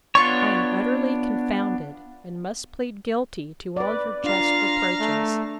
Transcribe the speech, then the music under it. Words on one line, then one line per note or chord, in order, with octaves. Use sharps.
'I am utterly confounded, and must plead guilty to all your just reproaches.
B3 D4 F4 C#5 C#6
B4 D5
D4 F4 F5 A#5
A3